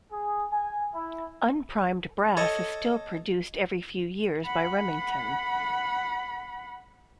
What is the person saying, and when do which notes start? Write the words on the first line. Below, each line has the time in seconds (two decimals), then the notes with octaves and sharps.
Unprimed brass is still produced every few years by Remington.
0.12 G#4
0.52 G#5
0.95 E4
2.37 A4 C#5 D#5
4.45 F#5 B5